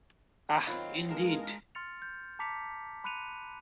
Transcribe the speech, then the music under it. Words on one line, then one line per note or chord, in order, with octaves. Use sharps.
Ah, indeed.
D#3 F#3 C4 F4 D#5 F5
G2 G#3 A#4 F5 A5
C6 F6 A6 C#7 F7
G6
A5 A#5 D6 B6 C#7 F7
B5 C6 F#6 C#7 D#7 F7